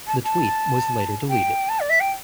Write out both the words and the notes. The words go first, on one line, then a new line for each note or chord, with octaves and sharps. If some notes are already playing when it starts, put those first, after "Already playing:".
The tweet was later deleted.
A5
A5
G5
A5
D5
E5
G5